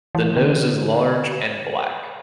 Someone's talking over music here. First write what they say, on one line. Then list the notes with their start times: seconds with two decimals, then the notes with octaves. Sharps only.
The nose is large and black.
0.15 E3
0.37 D3